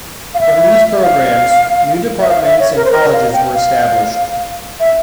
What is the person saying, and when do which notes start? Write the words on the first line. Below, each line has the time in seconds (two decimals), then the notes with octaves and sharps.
From these programs, new departments and colleges were established.
0.34 F5
0.40 E5
1.03 F5
2.20 E5
2.29 F5
2.45 E5
2.60 C#5
2.76 A#4
2.85 C5
2.91 A#4
3.13 F5
3.33 G5
3.54 F5
4.80 E5